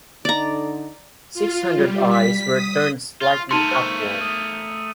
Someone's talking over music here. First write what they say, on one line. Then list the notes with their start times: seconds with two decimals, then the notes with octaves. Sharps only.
Six hundred eyes were turned slightly upward.
0.25 D3 D#4 D5 A#5
1.34 F4
1.75 G3
2.09 B6
2.53 D#6
3.22 F4
3.51 A3 D#4 A#4 C6 C#7 D#7 F7
3.71 C5 C#6 C#7
4.21 D#6